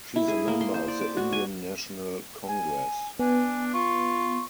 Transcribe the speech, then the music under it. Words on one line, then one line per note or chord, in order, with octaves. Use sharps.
She is a member of the Indian National Congress.
E4
G#4
A#3
C6
C5
D5
D6
F#4
G#5
G#5
B3 D4 G#5
F4 C#6